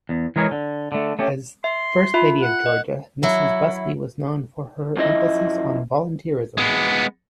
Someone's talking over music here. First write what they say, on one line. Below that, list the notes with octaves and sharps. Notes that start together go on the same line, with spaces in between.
As First Lady of Georgia, Mrs. Busbee was known for her emphasis on volunteerism.
E2
E3 G#3 A#4 C#5 G#5
D3
D3 A3
A3 C#4 G4
E5 C6
F4 E5 B5
F#5
D#5
F#3 E4
F#2 F3 E4 D#5
G#3 B3